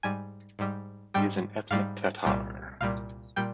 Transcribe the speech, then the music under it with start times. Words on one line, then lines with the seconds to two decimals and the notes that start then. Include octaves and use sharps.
He is an ethnic Tatar.
0.03 G#2 G3 G#5
0.59 G#2 G3
1.14 G#2 G3 G5
1.71 G#2 G3 F5
2.25 C2 A#2 G3
2.81 C2 A#2 G3 F5
3.36 A#2 G3 G5